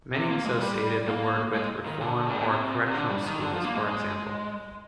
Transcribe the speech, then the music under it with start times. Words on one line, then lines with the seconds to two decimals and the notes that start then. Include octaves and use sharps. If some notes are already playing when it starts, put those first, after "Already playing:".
Many associated the word with reform or correctional schools for example.
0.14 C3
0.30 A#3
0.45 G#3
0.60 G3
1.08 A#3
1.54 G#3
1.86 D#3
2.01 D3
2.33 G#2
2.41 A#2
2.48 C3
2.86 C3
2.94 D3
3.10 G3
3.26 D#3
3.41 D3
3.53 F3
3.64 A#3
3.76 G#3
3.88 G#3